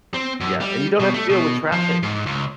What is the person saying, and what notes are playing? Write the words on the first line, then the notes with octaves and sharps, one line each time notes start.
Yeah, and you don't have to deal with traffic,
C4
F#2
G3
B2
A3
B2
F3
G#2
C#2